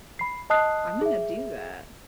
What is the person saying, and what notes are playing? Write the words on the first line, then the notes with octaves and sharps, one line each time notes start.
I'm gonna do that.
B5 C7
D#5 A5 D#6 F#6 C7
G#4 E5